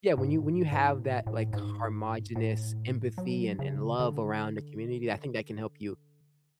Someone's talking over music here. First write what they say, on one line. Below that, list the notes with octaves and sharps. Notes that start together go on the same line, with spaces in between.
yeah, when you when you have that, like, homogenous empathy and and love around a community, I think that can help you,
G#2
A2
G#2
G#2
A2
A2
G#2
A2
F#3
C#3
D3